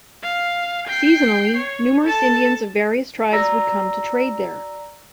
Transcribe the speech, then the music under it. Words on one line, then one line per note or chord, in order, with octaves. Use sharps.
Seasonally numerous Indians of various tribes would come to trade there.
F5
G5 C7
C#5
A4 A5
F#4 D5 A#5 E6 A#6